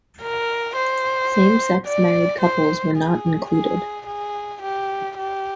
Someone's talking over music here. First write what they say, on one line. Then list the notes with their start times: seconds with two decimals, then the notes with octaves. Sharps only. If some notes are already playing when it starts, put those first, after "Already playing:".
Same-sex married couples were not included.
0.21 A#4
0.76 C5
1.86 D5
2.41 C5
2.96 G#4
3.51 G#4
4.06 G#4
4.62 G4
5.17 G4